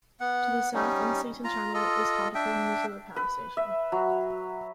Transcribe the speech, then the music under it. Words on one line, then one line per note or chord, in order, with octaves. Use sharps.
To the south on Seaton Channel is Hartlepool Nuclear Power Station.
B3 F#5
G3 C#4 D#4
F4 A#5
F4 A4 D#5
D4 E5 G5
B4
E5
F#3